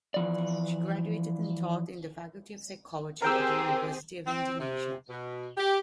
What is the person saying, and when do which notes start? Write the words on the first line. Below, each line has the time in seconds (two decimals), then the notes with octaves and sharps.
She graduated and taught in the Faculty of Psychology at the University of Indonesia.
0.14 E3 F3 D5
3.22 C4 G4 G#4 A#4 G5 E6
4.27 C4
4.59 C3
5.09 B2
5.57 G4